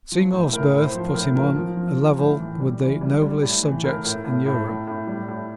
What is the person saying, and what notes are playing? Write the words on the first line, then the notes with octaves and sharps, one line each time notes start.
Seymour's birth put him on a level with the noblest subjects in Europe.
F3
A2
A2 A#4
A2
C5
F3
A#4
A2
F3 A#4
F3
F3
F3
A2
E3
G3
E3
G3
G3
A2
E3
A2 A#4
A2
A2
A2
A2
A2
G3
A2